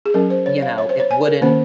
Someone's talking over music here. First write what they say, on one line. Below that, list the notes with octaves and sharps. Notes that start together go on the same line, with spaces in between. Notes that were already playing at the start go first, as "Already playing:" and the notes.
You know, it wouldn't
G#4
F#3 C#4 A#4
C5
C#5
F5
C#5
C5
C#5
G#5
A#4
D#3 A#3 C#4 C5